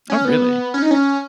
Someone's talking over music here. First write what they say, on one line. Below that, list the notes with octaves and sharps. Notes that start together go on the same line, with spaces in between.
Oh, really?
C#4
B3
C#4
D#4
C#4